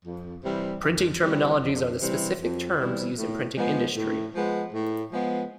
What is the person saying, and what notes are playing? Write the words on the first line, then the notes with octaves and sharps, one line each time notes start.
Printing terminologies are the specific terms used in printing industry.
F2
C3 E3 G3
F2
C3 E3 G3
F2
C3 E3 G3
F2
C3 E3 G3
A2
F3 G#3 B3
A2
F3 G#3 B3
A2
F3 G#3 B3